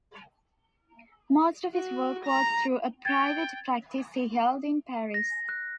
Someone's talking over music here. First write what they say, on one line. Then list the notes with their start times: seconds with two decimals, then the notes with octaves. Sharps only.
Most of his work was through a private practice he held in Paris.
1.74 F#4
2.26 A#5
3.05 G5 G#6 A6
5.14 A#6
5.49 F#6